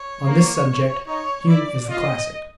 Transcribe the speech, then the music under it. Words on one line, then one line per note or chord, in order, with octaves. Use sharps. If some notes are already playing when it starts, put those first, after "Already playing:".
On this subject Hume is the classic.
Already playing: C#5
A#3
D#4 C#5
E4 D5
F4 D#5